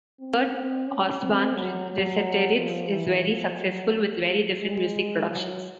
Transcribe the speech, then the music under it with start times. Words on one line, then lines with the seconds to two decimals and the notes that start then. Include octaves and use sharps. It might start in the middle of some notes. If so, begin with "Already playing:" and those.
Kurt Ostbahn, Resetarits is very successful with very different music productions.
0.20 C4
0.54 C4
0.87 C#4
1.22 C4
1.55 F#3
1.90 F#3
2.57 F3
2.91 E3
3.25 F3
3.59 F#3
4.62 G#3
5.30 F#3